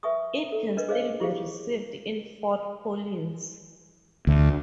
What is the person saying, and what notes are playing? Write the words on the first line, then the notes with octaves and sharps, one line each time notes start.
It can still be received in Fort Collins.
B4 E5 G#5 C#6 D#6
A4
D4 A#4 B4 D#5
G#4 C5 C#5 D#5 F5
E4 G4 G#4 F5
D2